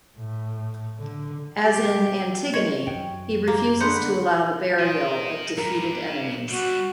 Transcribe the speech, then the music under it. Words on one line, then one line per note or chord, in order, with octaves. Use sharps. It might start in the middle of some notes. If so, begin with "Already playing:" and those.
As in "Antigone", he refuses to allow the burial of defeated enemies.
A2
D3
G4
C#5 D#5
F#2 G5
A#3
D3 G#4 B4 F#5 C6 G6
F4 A#4 D#5 G#5
G2 A#4
D3 G3 F#4